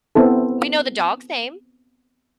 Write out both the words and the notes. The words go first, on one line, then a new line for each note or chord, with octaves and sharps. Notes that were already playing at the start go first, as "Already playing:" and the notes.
We know the dog's name,
B3 C4 E4 A4